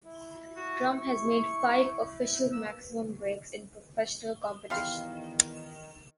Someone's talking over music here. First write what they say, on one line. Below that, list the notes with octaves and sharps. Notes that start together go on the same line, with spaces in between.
Trump has made five official maximum breaks in professional competition.
E4
F#4
C#6
A#3 E6
E2 D#3 G3 F5 C6